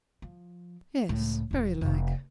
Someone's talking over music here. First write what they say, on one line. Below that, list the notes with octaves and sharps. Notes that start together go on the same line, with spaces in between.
'Yes, very like.
F3
C#2 A2
E1 F3
F1